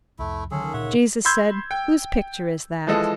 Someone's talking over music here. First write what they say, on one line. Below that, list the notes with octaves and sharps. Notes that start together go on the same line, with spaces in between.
Jesus said, "Whose picture is that?"
C2 F2 A3 E4
C#2 D3 D#3 F#3 C#4 G#4 A4
A#2 C#5 E5 F#5
B5 C6 E6 G6 G#6
G5
E3 F3 G#3 A4 D#5